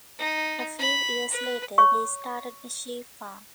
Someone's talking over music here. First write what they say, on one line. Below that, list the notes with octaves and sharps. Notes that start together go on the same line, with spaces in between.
A few years later they started a sheep farm.
D#4
B5
B4
C#5 C#6